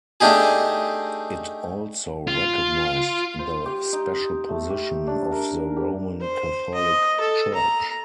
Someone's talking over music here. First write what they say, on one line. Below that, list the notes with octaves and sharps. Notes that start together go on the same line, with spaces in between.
It also recognised the "special position" of the Roman Catholic Church.
A3 D4 D#4 G4 G#4
F4
C5
G4
D#4
A3
G4
D4
A#4
G4
C5
D#5
A4
A#5